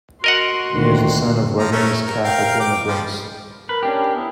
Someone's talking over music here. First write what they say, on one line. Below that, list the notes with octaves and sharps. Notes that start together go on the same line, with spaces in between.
He is the son of Lebanese Catholic immigrants.
F#4 A#4 D#5 F#5 C6
D2 A#2 D#3
F3 A#5
A3 C#4 A#4
A#4
A#4 F5 G5
G5 D6
F3 G3 G#3
A#4 B4
C#4 D4 G4
B3 E4